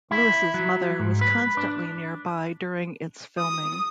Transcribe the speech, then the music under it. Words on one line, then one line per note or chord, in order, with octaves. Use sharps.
Lewis' mother was constantly nearby during its filming.
E4
F#3
G#2
B4
D4
D#6